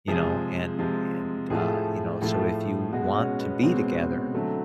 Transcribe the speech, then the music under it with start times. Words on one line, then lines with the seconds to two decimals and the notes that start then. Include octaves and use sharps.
you know, and and, uh, you know, "So if you want to be together,"
0.08 C3 F3 G#3 G#4
0.79 C3 F3 G#3
1.50 A2 F3 A3 G#4
2.21 A2 F3 A3
2.92 B2 G#3 F#4
3.16 C#4
3.39 B3
3.63 B2 G#3 C4
4.34 D3 F#3 A3